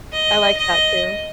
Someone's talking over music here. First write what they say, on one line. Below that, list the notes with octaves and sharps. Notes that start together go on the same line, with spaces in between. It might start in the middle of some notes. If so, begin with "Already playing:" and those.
I like that, too.
D#5
D#5